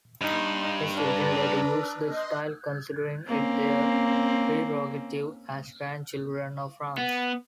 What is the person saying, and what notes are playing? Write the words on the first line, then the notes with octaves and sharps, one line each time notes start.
His children later used the style, considering it their prerogative as grandchildren of France.
G2 D#4 C6
D4 B4 A#5
D#5 C6
A#3 C4 C#4
B3